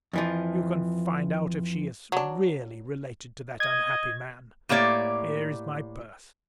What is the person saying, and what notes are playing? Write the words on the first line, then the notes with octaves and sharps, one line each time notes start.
You can find out if she is really related to that unhappy man. Here is my purse.
F2 E3 F3
F#3 D4
D#5 G#6
A2 A#3 G4 C#5 D5